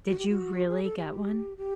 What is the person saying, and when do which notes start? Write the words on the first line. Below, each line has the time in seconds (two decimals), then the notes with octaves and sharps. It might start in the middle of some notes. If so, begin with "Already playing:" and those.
Did you really get one?
0.09 F#4
0.18 G4
0.29 F#4
0.68 G#4
0.83 A4
0.97 G#4
1.02 G4
1.58 G4